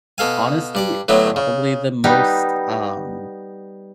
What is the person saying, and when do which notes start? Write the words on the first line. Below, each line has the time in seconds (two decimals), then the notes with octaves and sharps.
honestly, probably the most, um,
0.18 B2 A4 F5 G#5
0.75 G2 D5 D6
1.08 A2 D3 F#3 A3 B3
1.36 C#3
2.04 G3 B3 D#4